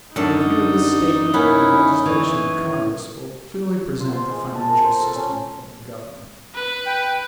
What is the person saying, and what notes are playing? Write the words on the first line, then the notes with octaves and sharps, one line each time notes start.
A review of this statement of the legislation of Congress will clearly present the financial system of the Government.
F#2 D3 D#4 A4 D5 A5
A#3 B3 C#4 E4
E3 C#5
F4
C5
G#3
A5
A#4
C5
A4
C#4
B4
G5